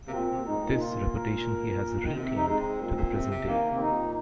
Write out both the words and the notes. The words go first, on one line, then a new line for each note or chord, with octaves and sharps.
This reputation he has retained to the present day.
C3 A#3
A#2 C4
C3
A#2
G#2 D#4
A#2
D#4
F4
A#4
D#3
C3
D#4
G#3 D#4
C4
A#2
G#2
A#2
C3
C3
D#3 A#3
C3
C4
D#4
A#2